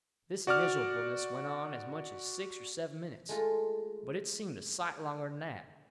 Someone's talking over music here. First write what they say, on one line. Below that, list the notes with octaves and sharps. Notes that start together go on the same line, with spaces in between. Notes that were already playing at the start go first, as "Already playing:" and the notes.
This miserableness went on as much as six or seven minutes; but it seemed a sight longer than that.
F#4 D5 D6 F6
G#3 A3 F4